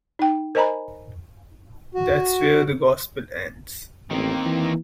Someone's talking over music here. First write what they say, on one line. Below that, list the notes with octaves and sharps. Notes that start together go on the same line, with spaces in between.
That's where the Gospel ends.
D#4 G5
A#4 C5 D#5 G#5 A#5 B5
F#4
A1 D#3 A#3 C4
E3